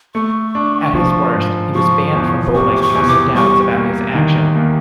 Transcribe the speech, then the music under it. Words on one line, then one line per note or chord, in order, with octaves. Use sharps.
At his worst, he was banned from bowling because of doubts about his action.
A3 C#6
D4
F3
G#2
F3 C#6
E2
C3 C#6
D6
C#6
E2
D6
G3 C#6
A#3
D#3
D#2